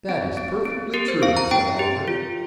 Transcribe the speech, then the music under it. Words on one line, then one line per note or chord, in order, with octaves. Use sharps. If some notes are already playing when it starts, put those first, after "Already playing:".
"That is perfectly true," said Oliver.
C4
C4
C4
G4 A#4
C5
C4 F5
A#5
C4 G5
G4
F4